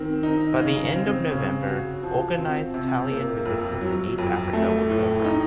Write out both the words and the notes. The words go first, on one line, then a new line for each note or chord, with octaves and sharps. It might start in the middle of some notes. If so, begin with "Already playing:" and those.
By the end of November, organized Italian resistance in East Africa was over.
Already playing: D#3 C4
D#4
C#3
C4
C#3
F#4
F3
C4
C3
A#3
F2
F#3
F2
A3
A2
D#4